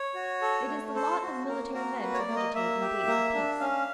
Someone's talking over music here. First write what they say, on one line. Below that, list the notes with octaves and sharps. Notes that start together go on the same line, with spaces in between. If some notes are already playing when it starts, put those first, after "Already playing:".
It is the lot of military men to vegetate in days of peace.
Already playing: C#5
F#4
A4
A3
A4 C5
F#4
A#3 A#4
F#4 A#4
A#3 B4
C#5
D5
A#3
D#5
A#3 E5
G4
A#3
D4
C#4 F5